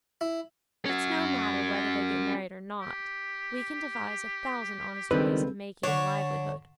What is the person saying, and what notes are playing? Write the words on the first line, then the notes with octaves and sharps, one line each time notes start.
But it's no matter whether they get married or not: we can devise a thousand honest ways of making a livelihood.
E4
C#4 F#4
G4
C#2 D#3 G3 C4 D4 A4 B4
D3 D4 C#5